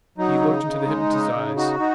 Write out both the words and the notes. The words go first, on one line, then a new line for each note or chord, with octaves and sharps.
He looked into the hypnotist's eyes.
F#3 D#4
C#3
C#3
G#3
C#3
C#3
D#4 F#4
D#4